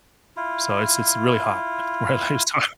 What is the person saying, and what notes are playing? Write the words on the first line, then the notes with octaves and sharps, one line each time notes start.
so, it's it's really hot where I live, so
E4 F4